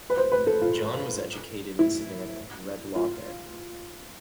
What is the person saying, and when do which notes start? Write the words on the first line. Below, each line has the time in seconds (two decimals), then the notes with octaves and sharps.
John was educated in Savannah and read law there.
0.10 B4
0.17 C5
0.32 B4
0.47 A4
0.62 F4
1.79 E4
2.96 F4